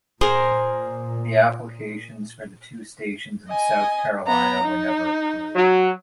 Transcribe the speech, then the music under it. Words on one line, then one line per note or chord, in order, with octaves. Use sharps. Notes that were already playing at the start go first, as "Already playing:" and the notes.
The applications for the two stations in South Carolina were never approved.
A#2 G#4 A#4 C5
D#5 G#5
B3 A#5
D#4
F#3